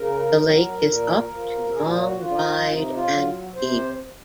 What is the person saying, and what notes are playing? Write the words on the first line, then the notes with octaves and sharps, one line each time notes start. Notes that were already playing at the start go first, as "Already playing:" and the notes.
The lake is up to long, wide and deep.
Already playing: C#3 A#4
F#3
A#2
F3
A#2 G#4
F#4
F4
F#4
F3 F4
C3 D#4
F4
F#3
C3 C5